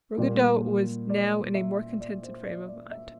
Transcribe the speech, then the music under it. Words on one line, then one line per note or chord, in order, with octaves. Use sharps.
Ruggedo was now in a more contented frame of mind.
A#2 G3 A#3 D5
D5
E5
D5
C5
D5
D5
E5